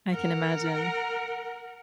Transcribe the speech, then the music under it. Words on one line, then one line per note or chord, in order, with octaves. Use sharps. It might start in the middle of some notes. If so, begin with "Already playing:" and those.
I can imagine.
A#4 F#5